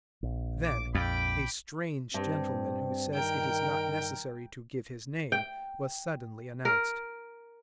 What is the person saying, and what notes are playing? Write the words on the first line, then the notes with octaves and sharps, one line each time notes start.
Then "a strange gentleman who says it is not necessary to give his name," was suddenly announced.
A#1
D6
F2 G5 B5 D6
G2 C4
D#3 A#4 G5
G5
A#4